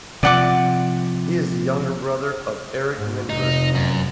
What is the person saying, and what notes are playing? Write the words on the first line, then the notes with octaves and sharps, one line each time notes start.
He is the younger brother of Eric Lindros.
C3 F3 D5 F#5 D6
G#2
F1 D#4
F#2